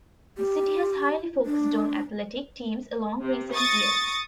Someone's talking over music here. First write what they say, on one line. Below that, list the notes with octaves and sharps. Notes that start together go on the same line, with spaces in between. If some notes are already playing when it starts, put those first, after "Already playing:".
The city has highly focused on athletic teams along recent years.
G4
D4
C3
C#6 D#6 A6 A#6